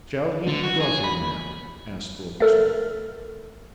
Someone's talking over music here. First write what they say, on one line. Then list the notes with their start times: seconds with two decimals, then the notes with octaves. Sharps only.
'Shall he be brought here, ma'am?' asked Rokesmith.
0.47 D3
0.64 F#4
0.80 G#4
1.04 B5
2.40 A3 A4 A#4